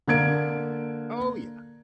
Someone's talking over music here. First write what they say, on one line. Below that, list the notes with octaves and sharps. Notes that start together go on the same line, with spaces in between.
Oh, yeah.
D3 A#3 G#6 D7